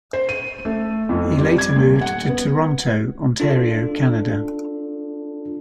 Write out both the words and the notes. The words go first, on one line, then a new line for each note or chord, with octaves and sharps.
He later moved to Toronto, Ontario, Canada.
C5
D#7
A3
F2
G3
G#6
D#1
F#5
B3
D4 F4 A4